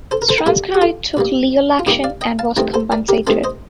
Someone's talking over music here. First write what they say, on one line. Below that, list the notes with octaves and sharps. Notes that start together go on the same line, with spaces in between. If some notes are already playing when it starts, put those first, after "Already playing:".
Stransky took legal action and was compensated.
A4 C5
A#4
A4 C5
A#4
A#2 G3 A#3 F4 A4
G4
F4 A4
A#2 G3 A#3
F4
A#2 G3 A#3 D#4 G4
D5 F5
D#5 G5
F5 A5
G2 D#3 A3 C4 G5 A#5
A4 C5
A#4 D5
G4 A#4
G2 D#3 A3 C4 A4 C5
C5 D#5